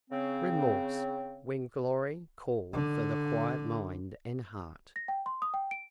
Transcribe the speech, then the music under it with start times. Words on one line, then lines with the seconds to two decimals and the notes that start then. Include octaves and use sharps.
Remorse, when Glory called for the quiet mind and heart!
0.11 C#3 C4
2.73 D3
4.96 A#6
5.08 G5
5.26 C6
5.42 D#6
5.54 G5
5.71 D7